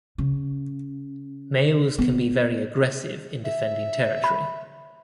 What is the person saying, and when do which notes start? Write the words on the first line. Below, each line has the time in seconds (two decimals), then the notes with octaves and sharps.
Males can be very aggressive in defending territory.
0.18 C#3
1.98 B3
3.44 E5
4.24 B5